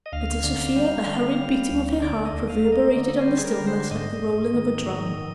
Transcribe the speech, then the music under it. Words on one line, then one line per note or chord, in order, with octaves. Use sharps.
But to Sofia the hurried beating of her heart reverberated on the stillness like the rolling of a drum.
D#5
D2 F5
D3
G3
D3
G3
D2
D3 D5
D#5
D#2
F5
A#3
D#5
D3 D#5
C5
G3
G#4
A#4
D3
C5
G#2 D#5
G#2
D#3
G#2